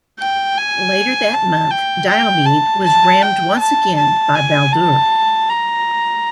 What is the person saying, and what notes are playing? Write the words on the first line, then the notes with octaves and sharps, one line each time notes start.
Later that month, "Diomede" was rammed once again by "Baldur".
G5
G#5
A5
G5
G5
A5
A5
G5
A5
A5
G#5
A5
A#5